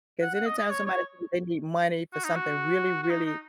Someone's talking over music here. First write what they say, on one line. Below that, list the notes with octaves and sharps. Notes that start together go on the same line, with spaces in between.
'Cause anytime somebody say they need money for something really, really
F#5
F#5
D#5
D#5
C#5
C#5
F#4
D#4
F#4
F#4
D#4
D#4